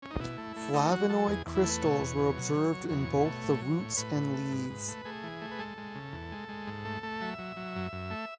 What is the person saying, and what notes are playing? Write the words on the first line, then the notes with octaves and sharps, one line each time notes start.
Flavonoid crystals were observed in both the roots and leaves.
C#4
D#4
B2 E4
A3
A3
A3 D#4
F#3 F#4
F#3 A4
E2 G#4
E2
E4
A3
B4
B2 C#5
E2
B2
F#3
F#3
F#3
E2 C#5
B2
A3
A2
F#3
A2
A2 B4
A2
A3
G#2
G#2
A3
A3 G#4
E3
A3
B4
G#3 A4
G#3
C#3
E2
G#3
G#3
G#2
A3
A3
F#3 E5
F#3
F#3
F#2
F#2
A3